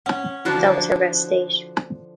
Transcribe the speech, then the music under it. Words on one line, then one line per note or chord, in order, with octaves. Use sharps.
That was her best state.
C#4 F#5
D3 F3 D4 E4 F#4 F#6